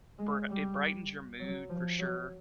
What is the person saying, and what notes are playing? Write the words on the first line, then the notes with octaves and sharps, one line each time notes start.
bri it brightens your mood for sure
G#3
G3
F#3
F3
F#3